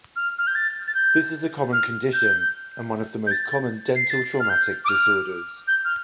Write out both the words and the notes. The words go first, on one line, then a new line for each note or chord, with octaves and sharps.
This is a common condition and one of the most common dental traumatic disorders.
F6
F6
G6
A6
A6
G6
F6
G6
G6
A6
C7
A6
F6
G6
D6
F6
G6
F6